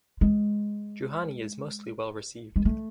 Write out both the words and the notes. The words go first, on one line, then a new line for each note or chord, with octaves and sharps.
Juhani is mostly well received.
G#3
G#3
A3